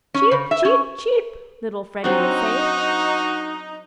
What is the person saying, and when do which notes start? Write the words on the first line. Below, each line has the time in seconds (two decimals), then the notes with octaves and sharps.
"Cheep, cheep, cheep!" little Freddy would say.
0.14 C#4
0.31 C#3
0.51 E5
0.65 C#4
2.04 F#3 C4 D4 D#4 F#4